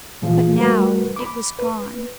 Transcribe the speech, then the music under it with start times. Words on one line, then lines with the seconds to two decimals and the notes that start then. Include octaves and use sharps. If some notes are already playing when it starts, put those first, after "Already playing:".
But now it was gone.
0.22 A#2 E3 F3 F4 G#4
0.57 G3 A3 F#4 A#4 B4
1.16 B5 D6
1.59 B4